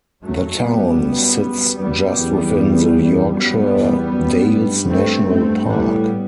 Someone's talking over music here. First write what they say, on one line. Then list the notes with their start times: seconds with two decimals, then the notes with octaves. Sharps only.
The town sits just within the Yorkshire Dales National Park.
0.23 F#2 F#3 A3
0.62 G3 B3
1.78 F#2 G3 B3
2.18 E2
3.34 F#2 G3 B3
3.73 E2
4.12 F#2
4.50 G2
4.89 A3 C4
5.27 A3 C4
5.66 A2 G3 B3